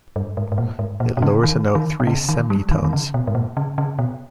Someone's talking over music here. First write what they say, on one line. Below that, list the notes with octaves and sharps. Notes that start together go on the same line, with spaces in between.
It lowers a note three semitones.
G2
G#2
G#2
A#2
G#2
A#2
B2
C#3
D#3
D#3
B2
C#3
D#3
G3
D#3
D#3
C#3
B2
G#2
A#2
C#3
C#3
B2